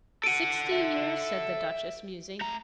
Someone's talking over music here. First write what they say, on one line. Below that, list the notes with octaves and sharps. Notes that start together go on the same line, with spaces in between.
"Sixty years," said the Duchess, musing.
A4 F#5 D7 D#7
E5
A3 A#5